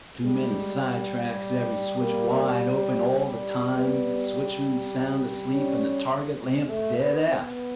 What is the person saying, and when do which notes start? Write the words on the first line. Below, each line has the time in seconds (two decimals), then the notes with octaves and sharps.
Too many side tracks; every switch wide open all the time, switchman sound asleep and the target-lamp dead out.
0.24 G3 G#3
2.00 A#3
3.75 G3 B3
5.52 C#4
6.40 G#3
6.69 A3
6.98 B3
7.28 B3 C4